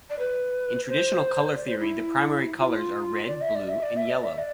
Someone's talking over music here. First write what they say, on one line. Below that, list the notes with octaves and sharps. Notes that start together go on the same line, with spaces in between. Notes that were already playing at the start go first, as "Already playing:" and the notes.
In traditional colour theory the primary colours are red, blue and yellow.
D5
B4
C5
D5
C5
E4
F4
E4
F4
D5
E5
D5
E5
D5
E5
D5
E5
D5